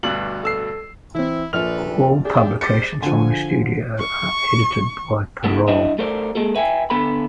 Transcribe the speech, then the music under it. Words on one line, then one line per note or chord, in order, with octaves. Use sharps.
All publications from the studio are edited by Perov.
D2 G2 B2 F#7
A4 E6 C7
E3 C4 E4
A#1 D4 A4 B4 F6 F7
D4 G4 G#4
G3 C5 D6 A6 C#7
D3 F3 G#5
C#6
A2 C#3 E3 G#3 A3 B3
G2 D4 E4 D#5
A3 A4 A#4 C5 D5
G#3 A#3 G#4 A4
B4 E5 G5 G#5
D3 B3 A4 B4 B5